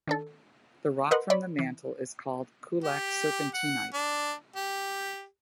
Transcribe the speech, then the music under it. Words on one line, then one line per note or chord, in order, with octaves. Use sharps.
The rock from the mantle is called Coolac Serpentinite.
D#3 D4 A4
A#4 B4 D#5 F#5 C6
C#5 D5 B5
E3
G4
F#5
D4
G4